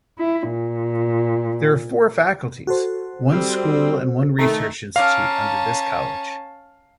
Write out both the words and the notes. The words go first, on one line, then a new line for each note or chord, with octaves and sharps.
There are four faculties, one school and one research institute under this college.
E4
A#2
F#4 A4 C5
G3 C4
D#3 A3 A#5
C#4 F5 A5 A#5 D6 F6